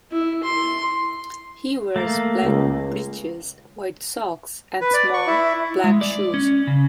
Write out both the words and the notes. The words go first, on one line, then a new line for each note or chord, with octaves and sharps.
He wears black breeches, white socks and small, black shoes.
E4
C6
A3 A#3
C#2
B4
D5
C#6
E4
G#3
D5
C#4
C#3